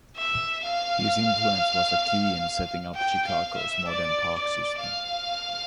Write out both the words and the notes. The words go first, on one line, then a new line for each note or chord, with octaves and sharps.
His influence was key in setting up Chicago's modern park system.
E5
F5
G5
F5
E5
D5
D5
F5